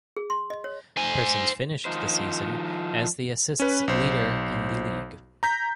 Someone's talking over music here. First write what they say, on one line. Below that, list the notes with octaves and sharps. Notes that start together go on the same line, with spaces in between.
Persons finished the season as the assists leader in the league.
G#4
C6
D#5
C#5
C5 G#5
D#3 F3 D#4 C5
C#4 B4
B1 C5
A#5 G6 B6